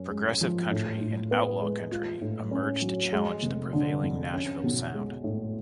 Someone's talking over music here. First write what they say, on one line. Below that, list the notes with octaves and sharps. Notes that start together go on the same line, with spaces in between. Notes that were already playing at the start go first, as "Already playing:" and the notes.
Progressive country and outlaw country emerged to challenge the prevailing Nashville sound.
Already playing: F#2 C#4
G#3
F3
A2
A2
B3
G#3
F4
A2
C#4
F#3
G#3
F1
D3
F2
C#4
B1
G#3
A2